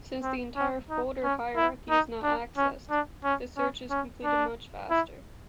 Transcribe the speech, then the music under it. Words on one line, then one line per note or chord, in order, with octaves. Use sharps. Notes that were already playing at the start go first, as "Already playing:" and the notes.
Since the entire folder hierarchy is not accessed, the search is completed much faster.
C4
C#4
D#4
C#4
E4
D#4
D4
C#4
D4
C#4
C#4
C#4
D4
E4